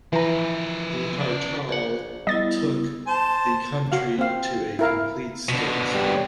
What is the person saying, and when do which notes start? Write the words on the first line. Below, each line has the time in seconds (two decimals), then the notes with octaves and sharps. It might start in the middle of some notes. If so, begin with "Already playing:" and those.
The Hartal took the country to a complete standstill.
0.13 E3 F3 B4 A#5
1.20 C#4 D5
1.69 A#1 F#5
2.27 G3 B3 E4 D#5 A6
3.07 C5 A5
3.92 F#4 F5
4.19 C4 F5
4.79 E4 A#4 F5
5.49 B2 D3
5.93 G3